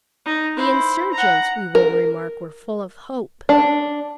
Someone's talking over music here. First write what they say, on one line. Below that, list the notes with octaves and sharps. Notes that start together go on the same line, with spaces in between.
The insurgents, we will remark, were full of hope.
D#4
E4 C5
F#5 A#5
A#4
D4